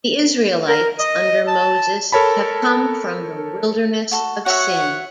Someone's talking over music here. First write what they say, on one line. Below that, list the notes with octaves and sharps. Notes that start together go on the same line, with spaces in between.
The Israelites under Moses have come from the wilderness of Sin.
A#4
D#5
A5
A4 A#4 C#5 A5 B5
F#4 A4
F#4 C#5 E5 F#5